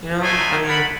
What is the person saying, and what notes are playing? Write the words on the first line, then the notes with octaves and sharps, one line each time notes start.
you know, I mean,
A3 D4 D#4 G#5 C6
A#4 F#5 A5 B5